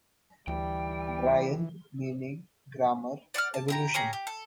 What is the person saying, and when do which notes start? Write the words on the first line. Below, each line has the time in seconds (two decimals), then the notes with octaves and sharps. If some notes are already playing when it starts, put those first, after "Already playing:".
Brain, Meaning, Grammar, Evolution.
0.47 D2 E3 G3 G5
3.34 D5 F#5 D6 F6
3.54 A5
3.68 E4 G4 A#5
3.94 C#4 G4 G#4 A#5
4.13 G4
4.27 A4